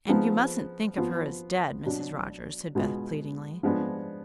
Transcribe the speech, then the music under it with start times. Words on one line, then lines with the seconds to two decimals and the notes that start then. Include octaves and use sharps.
"And you mustn't think of her as dead, Mrs. Rogers," said Beth, pleadingly.
0.09 F3 B3 D#4 G#4
0.98 F3 B3 F4
1.86 B2 F#3 D4
2.75 B2 G#3 B3 F4
3.63 F3 G#3 B3 D4 F4